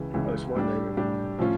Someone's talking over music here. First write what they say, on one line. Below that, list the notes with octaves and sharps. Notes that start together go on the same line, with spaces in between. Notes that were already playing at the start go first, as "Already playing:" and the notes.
I was wondering if you
Already playing: C#2 C#3 E3
C#2 C#3 E3
A2 G3 D4 G4
A2 G3 D4 G4
A2 F3 C#4 F4